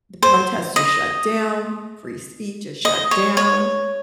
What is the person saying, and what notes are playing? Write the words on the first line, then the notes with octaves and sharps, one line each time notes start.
the protests are shut down, free speech is shut down,
C5
D#5
D#5
C#5
C#5